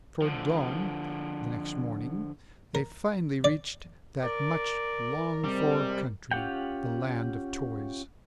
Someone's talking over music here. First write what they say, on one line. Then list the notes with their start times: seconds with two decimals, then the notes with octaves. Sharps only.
Toward dawn the next morning they finally reached that much-longed-for country, the Land of Toys.
0.22 D3 F3
2.75 A#4
3.44 D5
4.23 A#4 D5
5.44 C3 G3 G#3 C4
6.31 C#4 F4 G4 F#5 G5